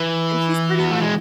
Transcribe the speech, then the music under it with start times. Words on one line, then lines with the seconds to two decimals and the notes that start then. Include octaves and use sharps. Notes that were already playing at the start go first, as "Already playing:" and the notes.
and she's pretty like
Already playing: E3
0.79 B3
0.91 A3
1.02 G#3